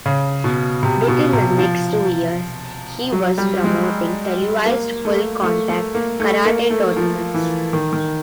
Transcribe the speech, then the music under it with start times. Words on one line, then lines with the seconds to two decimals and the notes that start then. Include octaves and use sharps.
Within the next two years, he was promoting televised full-contact karate tournaments.
0.06 C#3
0.44 B2
0.83 C3
1.08 B2
1.33 C3
1.59 F3
3.12 F#3
3.38 G3
3.64 G#3
4.66 A#3
5.05 A3
5.43 A3
5.69 A3
5.95 A#3
6.20 A3
6.45 A#3
6.70 A3
6.96 F3
7.34 E3
7.73 D#3
7.93 D#3